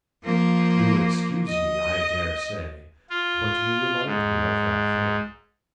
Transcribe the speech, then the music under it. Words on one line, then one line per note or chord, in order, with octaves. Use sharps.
You'll excuse me, I dare say, but you remind me of that fable.
F3 A#3
D#5
F4
G#2